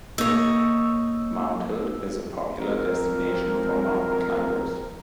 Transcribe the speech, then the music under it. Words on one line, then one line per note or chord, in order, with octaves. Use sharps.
Mount Hood is a popular destination for mountain climbers.
A#3 D#4 C#5 E6
F2 C4 A#4